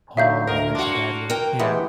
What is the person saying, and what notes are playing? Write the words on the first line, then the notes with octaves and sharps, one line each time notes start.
Oh, that's a bad one, yeah.
D3 F#3 D#4 E5 F5 G6
D2 A#4 D#5 A#5
A#3 D4 F4 F#4
A#4 G5
E3 G#3 A3 B3 G4